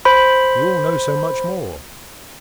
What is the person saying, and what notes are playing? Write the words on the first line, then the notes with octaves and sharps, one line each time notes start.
You all know so much more.
C5 B5